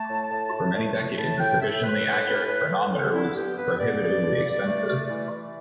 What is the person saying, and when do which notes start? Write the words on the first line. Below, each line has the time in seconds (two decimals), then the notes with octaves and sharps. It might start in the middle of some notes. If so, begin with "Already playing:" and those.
For many decades a sufficiently accurate chronometer was prohibitively expensive.
Already playing: A3 A5
0.09 A2
0.30 A2
0.53 A2
0.74 A3
0.96 A3
1.18 A2 A5
1.39 A2 G5
1.61 A2 E5
1.83 A2 B4
2.05 A2
2.26 A2
2.48 A2
2.70 A2
2.91 B3 A4
3.03 G4
3.13 D3 E4
3.35 B3 G4
3.57 G2 B4
3.78 B3 D5
3.99 G2
4.22 G2
4.43 G2
4.65 A3
4.87 A3
5.09 E3
5.30 E3